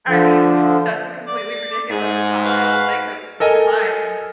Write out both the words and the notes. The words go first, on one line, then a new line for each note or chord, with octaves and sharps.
I mean, that's a completely ridiculous, laughable thing to to find.
D3 F3
D5
G#2 G#4
F#4 B4 F5
A4 A#4 D#5 G#5